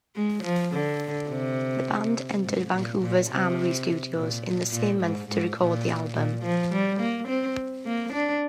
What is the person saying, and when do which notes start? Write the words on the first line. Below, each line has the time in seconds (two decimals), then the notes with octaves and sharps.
The band entered Vancouver's Armoury Studios in the same month to record the album.
0.16 G#3
0.43 F3
0.73 D3
1.29 C3
2.43 G#2
2.72 A#2
3.00 A#2
3.29 C3
4.14 A#2
4.72 A#2
5.00 G#2
5.28 G#2
5.57 A#2
6.14 A#2
6.43 F3
6.72 G3
7.00 A#3
7.28 C4
7.86 A#3
8.13 D4